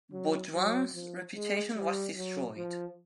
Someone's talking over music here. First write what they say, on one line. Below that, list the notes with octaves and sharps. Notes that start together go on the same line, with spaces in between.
Beaudoin's reputation was destroyed.
F#3
F#3
F3
G#3
G3
F#3
F3